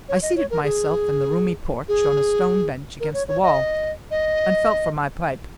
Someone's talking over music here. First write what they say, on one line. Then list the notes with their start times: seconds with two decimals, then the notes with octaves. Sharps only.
I seated myself in the roomy porch on a stone bench against the wall, and felt for my pipe.
0.09 C#5
0.22 D#5
0.36 C#5
0.50 A#4
0.64 G#4
1.88 G#4
3.00 A#4
3.14 C#5
3.28 C#5
3.43 D#5
4.11 D#5